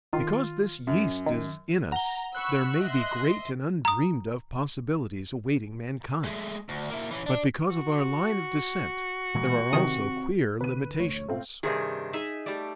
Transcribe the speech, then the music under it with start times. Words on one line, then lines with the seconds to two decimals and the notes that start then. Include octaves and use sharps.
Because this yeast is in us there may be great and undreamed of possibilities awaiting mankind; but because of our line of descent there are also queer limitations.
0.13 D#3 F4
0.87 F#2
1.26 D#3
1.92 F#5 A#5 G7
2.35 B5 C#6 E6 F#6
2.83 D#5 E5 C6
3.85 A#5 D#6
6.24 G#3 A3
6.69 D2
6.90 A#3 E4
7.11 E3 C#4
7.26 D4
7.69 F#4
9.34 A#2 E3 G#3
9.73 C3 D#3 C4 D#6
10.61 D3 B4 D#7
11.00 A1 D2 A3 C#5
11.28 G#2 B2 A3 C4 F4
11.63 G2 C3 D#3 G#4
12.13 D#4 G#4 E5
12.46 G3 A3 D5